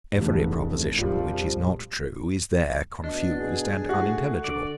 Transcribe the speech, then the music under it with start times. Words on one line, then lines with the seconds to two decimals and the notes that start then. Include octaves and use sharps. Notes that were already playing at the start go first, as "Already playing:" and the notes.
Every proposition, which is not true, is there confused and unintelligible.
0.14 F1 E2 G2 A3
0.95 A#1 F2 F3 G3
3.04 B2 D4 D#5
3.38 G#4
3.89 A3 F#4
4.44 D3 D5